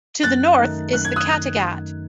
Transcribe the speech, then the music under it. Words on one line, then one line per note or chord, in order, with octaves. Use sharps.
To the north is the Kattegat.
F#2 F#6 A6
D#3 A3 D#4
F#2 F#6
G#6
D#6 F#6